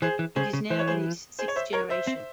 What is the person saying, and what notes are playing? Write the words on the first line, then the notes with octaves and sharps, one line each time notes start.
It is now in its sixth generation.
E3 G#4 C5
E3
C#3 G#4 C5
C#3
E3 C5
C#5
G#4 C5
G#4 C5
C#5
C5 E5
A#4 C#5
C5 E5
C4